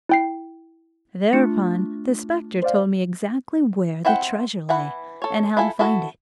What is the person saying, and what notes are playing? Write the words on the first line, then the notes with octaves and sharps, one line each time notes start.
'Thereupon the spectre told me exactly where the treasure lay, and how to find it.
E4 G5 C7
A3 D4 F4 C#7
C5 D5 F5
C4 E4 C5 F#5 G5
E3 E4 F#5 B5
A4 C#5
E4 F4 A4 G#5
E4 F#4 A4 E5